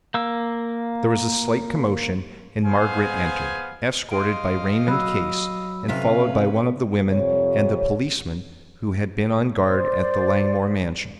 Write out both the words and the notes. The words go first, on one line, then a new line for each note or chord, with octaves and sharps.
There was a slight commotion, and Margaret entered, escorted by Raymond Case, and followed by one of the women and the policeman who had been on guard at the Langmore mansion.
A#3 E6
B3 G#4 C5 F5 G#5
D#5 F5 C6 D7
F#3 B5 E6
F2 C3 C#4 B4 F5 B6
F2 C3 C#5
C5 D5